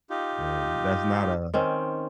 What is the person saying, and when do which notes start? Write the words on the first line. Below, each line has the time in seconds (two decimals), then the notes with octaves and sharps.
and, that's not a
0.10 D#4 F4 G4
1.54 D#3 C4 C#4